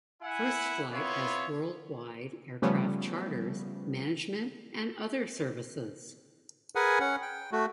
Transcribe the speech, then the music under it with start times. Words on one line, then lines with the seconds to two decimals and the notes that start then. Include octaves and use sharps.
First Flight has worldwide aircraft charters, management, and other services.
0.22 E4 E5 F#5 G#5
0.92 B3 C4 E4 F4 C#5
2.62 C#3 F3 G3 A3 B3 C#4
6.75 G#4 A#4 B4 F#5 G#5
7.00 C#4 F#5
7.22 G5
7.52 A3 F#4